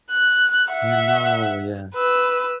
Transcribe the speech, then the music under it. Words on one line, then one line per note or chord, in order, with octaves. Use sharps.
I know, yeah.
F#6
E5 F#5
B4 E6